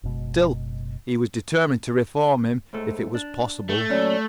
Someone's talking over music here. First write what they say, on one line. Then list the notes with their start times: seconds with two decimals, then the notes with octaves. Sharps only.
Still, he was determined to reform him if it was possible.
0.03 F#1 B2 G#3
2.73 G#2 G#3 A3
3.15 D4
3.70 A3
3.90 A#2 F#3 C#4 D5